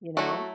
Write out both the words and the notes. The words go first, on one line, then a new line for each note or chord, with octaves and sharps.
You know?
F#3 A3 E4 F#4 A4